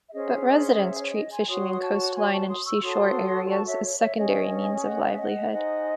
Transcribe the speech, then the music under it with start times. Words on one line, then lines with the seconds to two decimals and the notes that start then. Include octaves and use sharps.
But residents treat fishing in coastline and seashore areas as secondary means of livelihood.
0.07 E5
0.13 C#4 G#4 C5 D#5
0.30 C#5
0.47 D#5
0.64 D#5
0.80 C#5 E5
0.98 C#5
1.10 E5
1.15 D#5
1.31 G#5 C6
1.47 F#4 C#5 C6 D#6
1.73 D#6
1.81 A5 C#6
2.14 G#5 C6
2.32 A5 C#6
2.48 C6 D#6
2.65 C#6 E6
2.82 F#4 A4 C#5 C6 D#6
3.45 C6
3.49 A5 C#6
3.66 C#5 E5
3.83 C#5
3.99 C#5 E5
4.17 C#4 G#4 C#5 D#5
4.84 D#5 F#5
5.07 E5
5.18 D#5 F#5
5.51 D#4 G#4 C5 D#5 F#5